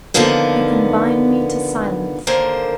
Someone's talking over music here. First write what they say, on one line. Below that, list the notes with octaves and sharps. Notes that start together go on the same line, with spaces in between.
You can bind me to silence.
D3 D#3 F3 A#3 B3 D#4
D#2 D3 A#3 A#4 C5